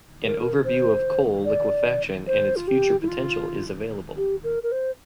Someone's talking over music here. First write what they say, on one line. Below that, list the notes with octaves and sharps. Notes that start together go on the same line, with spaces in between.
An overview of coal liquefaction and its future potential is available.
A#4
C5
D5
C5
F4
G4
E4
F4
G4
A#4
A#4
C5